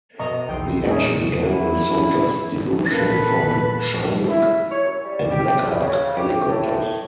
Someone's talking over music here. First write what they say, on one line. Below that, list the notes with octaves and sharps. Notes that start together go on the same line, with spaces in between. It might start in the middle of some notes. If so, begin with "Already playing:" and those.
The action began with soldiers debouching from Chinook and Black Hawk helicopters.
F#1 B2 D#5 A#5 C#6
B1 E2 D#4 G5 C6
A#2 G3 A3 D#4 G#4 C#5
F#2 E4 F#5
A#2 A4 B4 F5 B5
E4
C#5
F#2
G3
G4
E2
C#3
G4
A2